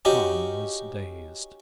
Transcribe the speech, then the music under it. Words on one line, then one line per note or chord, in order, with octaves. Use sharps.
Tom was dazed.
C#4 D#4 F#4 G4